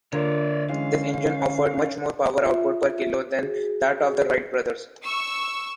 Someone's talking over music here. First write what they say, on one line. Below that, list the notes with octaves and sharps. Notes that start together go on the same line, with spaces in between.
This engine offered much more power output per kilo than that of the Wright brothers.
D3 A#3 F4 A#4 C#5 D5
E3 G#3 C#4 F5
F4 E5
F#4 G#4
C#6 E6